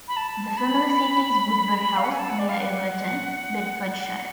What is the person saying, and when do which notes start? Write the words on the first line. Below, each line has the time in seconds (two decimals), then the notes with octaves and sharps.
The family seat is Woodbury House, near Everton, Bedfordshire.
0.08 B5
0.16 A5
0.57 B5
1.79 B5
1.96 F5
2.04 F#5
2.11 G#5
2.19 A5
2.30 F#5
2.39 D5
2.49 F5
2.60 F#5